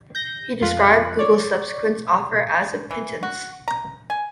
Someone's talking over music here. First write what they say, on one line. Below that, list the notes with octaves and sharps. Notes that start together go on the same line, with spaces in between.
He described Google's subsequent offer as a "pittance".
G6 A#6
F2 F4 F#6
C#5 D5
E3
F#4
A#5
G#5